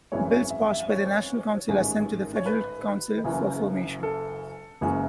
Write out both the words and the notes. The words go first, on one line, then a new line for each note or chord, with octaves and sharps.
Bills passed by the National Council are sent to the Federal Council for affirmation.
G#1 F#2 E3 G#3 C#5
C#5
E5
E5
C#5
A1 G#2 D#3 G#3
C#5
B4
F#1 F#2 E3
A4
F#1 F#2 E3 G#3